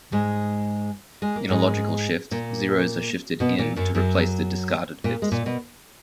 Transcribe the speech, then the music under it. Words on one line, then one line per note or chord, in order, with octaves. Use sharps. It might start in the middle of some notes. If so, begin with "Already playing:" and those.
In a "logical shift", zeros are shifted in to replace the discarded bits.
G#2 G#3
G#3
A#3
G#2 G#3
A#2 A#3
B2 B3
A#2 A#3
F#2 F#3
F#2 F#3
A#2 A#3
G#3
A#2 A#3
B2 B3